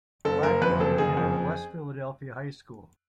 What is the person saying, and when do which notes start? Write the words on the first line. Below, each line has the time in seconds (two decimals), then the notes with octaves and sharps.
Blackwell attended West Philadelphia High School.
0.25 F#1 A4
0.43 F#1 A#4
0.62 F2 B4
0.80 F#1 A4
0.98 F#1 G#4
1.17 F2